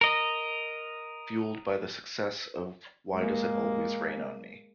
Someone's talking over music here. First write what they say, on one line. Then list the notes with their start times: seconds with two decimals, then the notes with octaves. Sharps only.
Fueled by the success of Why Does It Always Rain on Me?
0.01 A#4 D#5
3.15 G#3 A#3